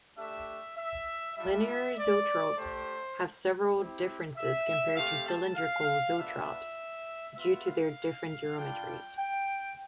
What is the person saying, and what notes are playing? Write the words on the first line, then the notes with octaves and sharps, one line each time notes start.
Linear zoetropes have several differences compared to cylindrical zoetropes due to their different geometries.
A3 D4 G4 E5
E5
G3 D4 F4 E5
D5
A3 D4 G4 C5
C4 E4 G4
E5
A3 C4 G4 F5
A5
F5
B3 D4 F4 E5
B3 F4 E5
F5
G3 D4 F4 G5
G5